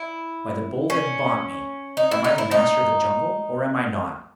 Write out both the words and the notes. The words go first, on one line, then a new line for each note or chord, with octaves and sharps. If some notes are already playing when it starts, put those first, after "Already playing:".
By the Bull that bought me! am I the Master of the Jungle, or am I not?
Already playing: E4
C#4
D#4
E4
D#4
E4
D#4